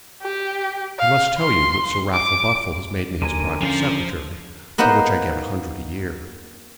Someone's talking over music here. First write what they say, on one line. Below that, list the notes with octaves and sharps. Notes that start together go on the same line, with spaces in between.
I must tell you that Sir Raffle Buffle has made me his private secretary, by which I get a hundred a year.
G4
F5
C6
D6
D#2 D3 A#4 G#5
F3 C#4 C5
A#3 B3 D#4 A#4 C5 F5